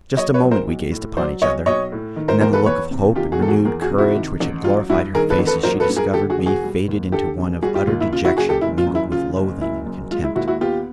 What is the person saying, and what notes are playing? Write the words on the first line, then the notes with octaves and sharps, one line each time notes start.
Just a moment we gazed upon each other, and then the look of hope and renewed courage which had glorified her face as she discovered me, faded into one of utter dejection, mingled with loathing and contempt.
F#3 C#5 D#5
B4 C#5
B1
A#4 C5
B1
A2
F#3 C5 D5
B1 C#5 D#5
B1 C#5 D#5
A2
D#3
A#4 C5
E2 A#4 C5
A4 B4
E2 B4 C#5
C3
D#3 F4 G4
F#4 G#4
E2 A4
F#4 G#4
E2 G#4 A#4
F#4 G#4
C3
E4 F#4
D#3
A1
F#3 F4
G2 E4 F#4
D#3 G#4 A#4
A4 B4
A1
A4 B4
F#3 A#4 C5
A4 B4
G2
G#4 A#4
D3 G4 A4
F#4 G#4
E1
F#4 G#4
G3
D#2
D3 G4 A4
E1
G3 F#4 G#4
F4 G4
D#2 F4
E4
C#3 F4
E4 F#4
F#1 F#4 G#4
G4 A4
F#1 E4
F4
F#2
E4
C#3 F4
F#1
F#1 E4
F#2
G#3 F4
E4
D#2 E4 F#4
E4 F#4
B3 F4 G4